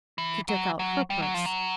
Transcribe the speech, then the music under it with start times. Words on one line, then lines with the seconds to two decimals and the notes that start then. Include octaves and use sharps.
She took out her purse.
0.18 E3
0.49 F#3
0.79 F#3
1.10 G3
1.22 F#3
1.34 F3
1.46 F#3